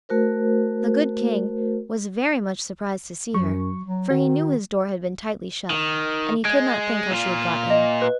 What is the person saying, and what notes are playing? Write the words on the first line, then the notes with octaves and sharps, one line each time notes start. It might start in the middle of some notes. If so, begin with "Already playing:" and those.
The good King was very much surprised to see her, for he knew his door had been tightly shut, and he could not think how she had got in.
A3 F#4 A#4 C5
F#2 F#3 C#6
F#3
D#3 F#4
D#3
G#3 G#6 D7
A#2 F4
D#5
B4